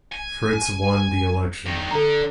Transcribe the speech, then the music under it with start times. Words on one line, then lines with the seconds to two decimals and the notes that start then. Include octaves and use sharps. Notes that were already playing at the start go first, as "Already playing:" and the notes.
Fritz won the election.
0.12 G#5
1.66 G2 D#3
1.91 D3 A4 A#5